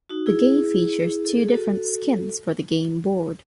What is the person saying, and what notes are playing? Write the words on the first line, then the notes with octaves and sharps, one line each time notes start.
The game features two different "skins" for the game board.
D#4 F#4
E4 G#4
A4
G#4
F#4 A4